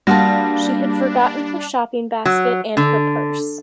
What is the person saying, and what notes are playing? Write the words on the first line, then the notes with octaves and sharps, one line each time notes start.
She had forgotten her shopping basket and her purse.
G3 A#3 D4 F#4 F5 A5 A#6
F#3
D3